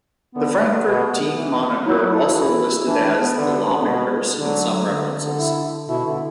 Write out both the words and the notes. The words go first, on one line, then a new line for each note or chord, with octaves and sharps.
The Frankfort team moniker also listed as the "Lawmakers" in some references.
D3 B3
B2
E3
F#3 E4
A4
F#4
E3 E4
E4
E3 D4
D4
B3
D3
B2
D3 F#3
D3
D3
E4
B2 E4
D3